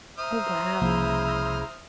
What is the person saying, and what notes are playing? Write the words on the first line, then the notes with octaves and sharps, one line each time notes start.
Oh, wow.
C5 E5 A#5 D#6 F6
C2 C#3 F3 A#3 E4